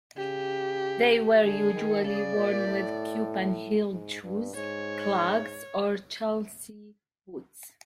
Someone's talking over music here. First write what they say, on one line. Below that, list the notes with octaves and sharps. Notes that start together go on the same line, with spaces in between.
They were usually worn with Cuban-heeled shoes, clogs, or Chelsea boots.
C#3 G4
D3 G#4
D#3
C#3 D5
A#2
A2
G#2
G2
G#2 C#5